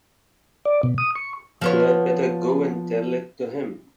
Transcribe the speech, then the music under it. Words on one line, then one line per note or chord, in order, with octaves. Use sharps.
You had better go and tell it to him.
D5
B2
D#6
C#6
F3 B3 C#5